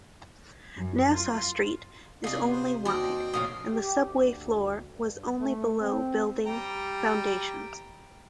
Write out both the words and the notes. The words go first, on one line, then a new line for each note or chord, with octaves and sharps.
Nassau Street is only wide, and the subway floor was only below building foundations.
F#2
F4
C3 F4 G#4 D5 D#5
C5
D#2 C4 F#4 D5 D#5 G5
F1 A#1 F4 C#5 F5 D#6
G4
D2
G2
A3
C4
G3 G5 A#5